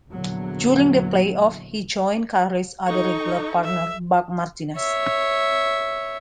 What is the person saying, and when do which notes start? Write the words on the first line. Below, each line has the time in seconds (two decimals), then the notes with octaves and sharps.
During the playoffs, he joined Caray's other regular partner, Buck Martinez.
0.12 A#1 E2 D3 F#3
2.87 D#4 A4 C#6
3.63 E5
4.77 C#5 E5